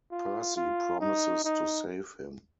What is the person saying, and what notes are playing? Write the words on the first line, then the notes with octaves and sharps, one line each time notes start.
Percy promises to save him.
F4
F4
D#4
D#4